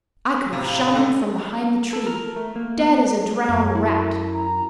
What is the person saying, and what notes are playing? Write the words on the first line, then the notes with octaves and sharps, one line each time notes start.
I could have shot him from behind the tree--dead as a drowned rat!
A2 C3 F5 A#5 B5
D3 A3 D#4
A4
A#4
A3
A#3
B3
F#2
E4 E5
A#5